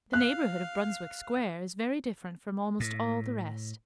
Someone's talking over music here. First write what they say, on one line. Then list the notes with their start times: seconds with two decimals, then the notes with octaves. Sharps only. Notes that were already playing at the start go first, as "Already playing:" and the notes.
The neighborhood of Brunswick Square is very different from almost all the rest.
0.13 F5 F#6
2.80 A2